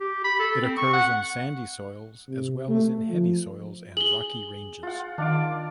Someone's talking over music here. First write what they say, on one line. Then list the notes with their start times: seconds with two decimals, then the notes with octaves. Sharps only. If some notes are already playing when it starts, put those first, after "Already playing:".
It occurs in sandy soils as well as in heavy soils and rocky ranges.
0.01 G4
0.24 B5
0.39 A4
0.62 C4
0.77 C#6
0.93 F#5
2.28 C3
2.69 A3
3.10 F3
3.97 G#4 F#7 G7
4.83 F4 F#5
5.18 D#3 D4 F5 D6